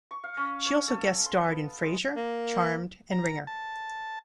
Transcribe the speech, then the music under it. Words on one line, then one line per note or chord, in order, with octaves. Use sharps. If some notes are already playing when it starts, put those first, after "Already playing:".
She also guest-starred in "Frasier", "Charmed", and "Ringer".
C#6
F5
C#4
C#5
A4
C6
B3
G#3
A#3
A#5
A5